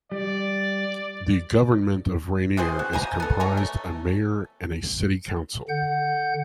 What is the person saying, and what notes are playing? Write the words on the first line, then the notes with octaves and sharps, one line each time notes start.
The government of Rainier is comprised a mayor and a city council.
G3 D5
B2 C4 G#4 C5
F#4
C5 G#5 A#5
B3 A4
C#5 G#5 A#5
A3
D3 F#5 G6